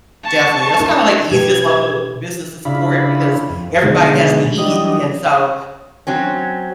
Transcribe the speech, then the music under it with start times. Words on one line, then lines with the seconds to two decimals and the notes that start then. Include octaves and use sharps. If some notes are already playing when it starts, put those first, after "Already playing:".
definitely. That's kinda, like, the easiest local business to support because everybody has to eat, and so,
0.24 A5 C#6
0.80 D4 E4 A#4
1.31 B2 G4 B4 G#6
2.65 C#3 D4 E4 F4 B5
3.49 F2
3.82 B2 D3 D#3 G#3
4.58 E3 F#3 G3 D4 D#5
6.07 F#3 C4 C#4